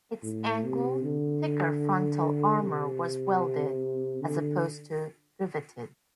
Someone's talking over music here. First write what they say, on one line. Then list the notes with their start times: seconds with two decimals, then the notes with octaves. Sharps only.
Its angled, thicker frontal armor was welded, as opposed to riveted.
0.23 A2
0.64 C3
1.04 D3
2.62 C3
4.21 D3